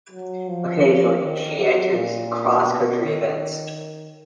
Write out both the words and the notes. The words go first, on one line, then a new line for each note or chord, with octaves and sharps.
Occasionally, she enters cross country events.
F#3
F3
D#3
F#3
A#2
B2
D#3